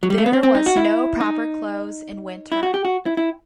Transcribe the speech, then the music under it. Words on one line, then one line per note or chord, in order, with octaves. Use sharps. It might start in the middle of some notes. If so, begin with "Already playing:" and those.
There was no proper clothes in winter.
F#3
G3
A3
B3
C4
C4
D#4
F#4
E4
D#4
E4
F#4
G4
F#4
E4
E4